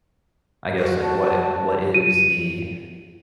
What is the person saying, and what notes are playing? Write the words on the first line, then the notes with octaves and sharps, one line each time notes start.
I guess, like, what what is the
F#4
A5
D#7